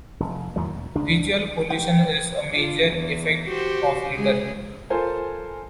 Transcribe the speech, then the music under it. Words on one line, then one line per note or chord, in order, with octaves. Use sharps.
Visual pollution is a major effect of litter.
F1
E2 A2 D#3 F#3
E1
C#2 D4
G5
D4 F4
E2 E3
F#4 G4 C5
C#3 G#3 G#4
F4 A4 A#4 C5 G#5